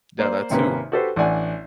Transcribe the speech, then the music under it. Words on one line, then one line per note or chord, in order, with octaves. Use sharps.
Yeah, that too.
A#3 C5 D5
G#1 C3 A#3 C#4 B4
F#4 G4 A4 B4 C5
A1 D4 D5 F#5 G#5